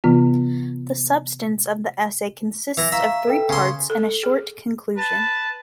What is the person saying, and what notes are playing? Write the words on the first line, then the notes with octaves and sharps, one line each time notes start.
The substance of the essay consists of three parts and a short conclusion.
C3 E3 B3 F4
E3 A#5 A#6 F7
E5 F5 A#5 C#6
A4 B4 G5
C#3 G#5 C6
A4
G#4
B4 A5